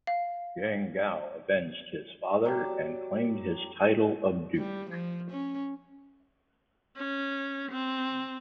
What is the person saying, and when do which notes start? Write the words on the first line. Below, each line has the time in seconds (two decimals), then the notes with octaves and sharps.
Yang Guo avenged his father and claimed his title of duke.
0.07 F5
2.45 F#3 G4 D5 A5
4.57 G3
4.90 F3
5.31 C#4
6.97 C#4
7.71 C4